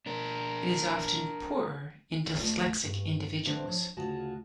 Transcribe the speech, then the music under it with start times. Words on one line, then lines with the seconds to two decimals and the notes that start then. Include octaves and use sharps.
It is often poorer in dyslexic individuals.
0.06 D4 A#4
2.40 E2 A3 F4 D5
2.84 G2
3.46 D3 E3 C4 D4 A4 C5
3.67 F3 C#5
3.97 D2 C#3 G#3 F4 F#4 A5